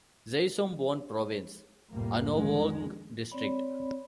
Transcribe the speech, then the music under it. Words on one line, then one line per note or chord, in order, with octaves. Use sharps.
Xaisomboun Province, Anouvong District.
C2 F2 A2 G3 A#3
F2 D#3 G#3
C4 C#5 D5 B5